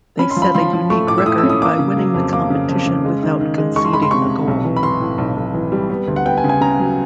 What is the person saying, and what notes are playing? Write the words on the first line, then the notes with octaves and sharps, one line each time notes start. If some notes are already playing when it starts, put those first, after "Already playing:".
They set a unique record by winning the competition without conceding a goal.
C#4 B5
C6
F3
B5
F3 C6
F3
A3 C#6
A2 D6
E6
A2 D#6
E6
C#4
D#6
A#3 D6
C#3
F#3
F2
A#3 D6
C#3
F2
C#3
G#3
D#3
D#3
G#3
G#3 C#6
C6
G#3 B5
C6
C3 C#6
C3
B1
E3
B5
E3 C6
A2
B1
B1
E3
G3
B3
D2
F#5
B3 G5
G#5
C#3
G#5
C#3 A#5
F#3